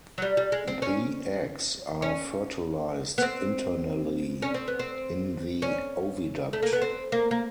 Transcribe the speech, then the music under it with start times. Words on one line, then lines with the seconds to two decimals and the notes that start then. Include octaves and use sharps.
The eggs are fertilised internally in the oviduct.
0.18 F#3
0.22 G3
0.37 G3
0.52 G#3
0.68 C4
0.82 C#4
2.02 C#4
3.18 B3
3.22 C4
4.42 C#4
4.54 C4
4.68 B3
4.79 C4
5.62 C#4
6.53 A3
6.63 A#3
6.73 B3
6.82 C4
7.12 A#3
7.31 A#3